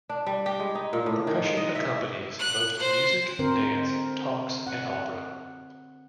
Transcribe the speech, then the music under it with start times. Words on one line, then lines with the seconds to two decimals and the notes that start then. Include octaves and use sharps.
Percussion accompanies most music, dance, talks, and opera.
0.09 D4
0.27 G3
0.46 G4
0.60 G#3
0.75 D#4
0.93 A#2
1.06 A2
1.27 D#3
1.45 G#3
1.57 D#5
1.75 E5
2.39 F#6
2.79 C5
3.39 D3 C4 A#4 C5
4.67 F#5